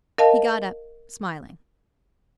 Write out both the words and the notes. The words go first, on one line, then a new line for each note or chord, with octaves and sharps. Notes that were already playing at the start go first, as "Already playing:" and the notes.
He got up, smiling.
A#4 D#5 F5 A5